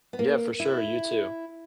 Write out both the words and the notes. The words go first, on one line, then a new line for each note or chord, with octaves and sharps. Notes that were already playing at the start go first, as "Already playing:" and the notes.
Yeah, for sure, you too.
B3
A#3
E4